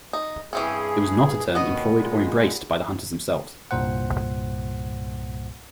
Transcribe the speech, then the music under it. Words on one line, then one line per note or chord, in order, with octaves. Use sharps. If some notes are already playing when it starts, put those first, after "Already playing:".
It was not a term employed or embraced by the hunters themselves.
D#4
G2 E3 C4 C#4 G#4
D#2 B2 D#3 B3 D#5
A#2 G#3
C2 G2 A#2 C5 F#5